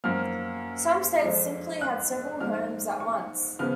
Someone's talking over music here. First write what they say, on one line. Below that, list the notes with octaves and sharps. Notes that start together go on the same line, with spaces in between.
Some states simply had several homes at once.
F#2 F3 A#3 F6
F2 F3 G#3
F#6
G#2 F3 G#3 F6
C#6
C#3 F3 B3 F6